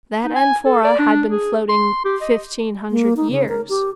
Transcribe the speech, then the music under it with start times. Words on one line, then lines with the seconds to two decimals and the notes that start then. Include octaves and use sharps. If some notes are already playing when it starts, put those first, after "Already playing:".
That amphora had been floating fifteen hundred years.
0.25 D#4
0.36 G#5
0.65 A4
0.84 D5
0.99 D4
1.30 G#4
1.69 C6
2.05 G4
2.21 D#5
2.90 A#3
3.16 D#4
3.31 C#3
3.48 A#4
3.69 G4